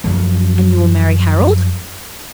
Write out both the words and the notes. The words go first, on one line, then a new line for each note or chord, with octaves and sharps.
'And you will marry Harold?'
F#2 F3 A3